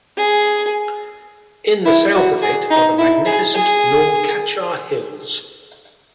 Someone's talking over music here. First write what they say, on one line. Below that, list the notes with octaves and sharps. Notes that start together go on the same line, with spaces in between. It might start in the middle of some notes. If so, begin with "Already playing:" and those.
In the south of it are the magnificent North Cachar Hills.
G#4
E4
F#4
G#4
D#4
E4
G#4
G#4